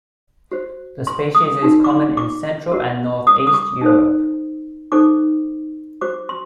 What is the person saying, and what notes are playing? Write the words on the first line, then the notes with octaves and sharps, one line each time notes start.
The species is common in central and northeast Europe.
F#4 C5
C6
D#6
D#4 F#4 A#4
D6
C6
D6
F#4 A#4
D#6
D#6
D6
D#4 A4 C5
D#4 A4 C5 D6
F#4 C5 D6
C6